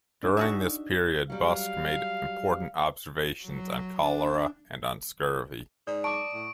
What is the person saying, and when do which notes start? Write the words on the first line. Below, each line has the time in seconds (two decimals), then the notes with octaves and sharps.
During this period Busk made important observations on cholera and on scurvy.
0.23 D4 D#4
0.37 F#4 G#4 E5
1.30 F#3 G3 F5
3.43 F#3
4.04 D4
5.87 G#2 D5 D#6
6.04 A5 C#6 D6 D7
6.34 A2